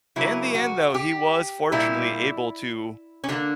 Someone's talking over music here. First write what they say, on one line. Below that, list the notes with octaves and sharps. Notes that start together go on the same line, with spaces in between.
In the end though, he was fortunately able to
C#3 F#3 A#3 E4
F#4
G4
A#2 G3 A#3 E4
C#4
D3 G3 A#3 D4